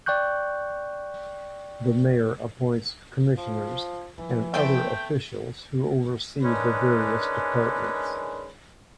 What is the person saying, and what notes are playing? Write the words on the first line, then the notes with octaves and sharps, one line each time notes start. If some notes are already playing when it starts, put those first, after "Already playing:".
The mayor appoints commissioners and other officials who oversee the various departments.
D5 G5 C#6 F#6 G6
F3
E3 F3
A3 B3 C4 G5
D#3 G#3 C#4 D4 B4